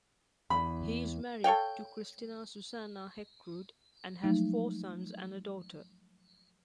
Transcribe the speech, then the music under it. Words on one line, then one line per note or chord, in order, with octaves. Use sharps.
He is married to Christina Susanna Heckroodt and has four sons and a daughter.
E2 B5
A4 C#5 F5 G5
F3 F#3 G#3 A3 D#4